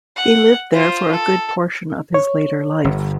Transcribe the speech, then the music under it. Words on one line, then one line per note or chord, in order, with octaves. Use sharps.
He lived there for a good portion of his later life.
F#5
F4 C5
A4
C#5
G1